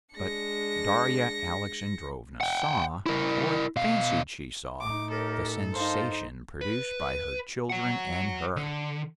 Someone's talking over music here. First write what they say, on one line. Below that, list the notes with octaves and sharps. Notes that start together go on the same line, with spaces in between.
But Darya Alexandrovna saw, or fancied she saw, the sensation produced by her children and her.
G#3 D4 A#6 C#7
F#5 G5
E4 A#4
B2 F5
A2 D#4 D6
F#2 G4 A4 A#4
G2 D#4 A#4 C5 F5 A5
B4
C#5 F#5
D3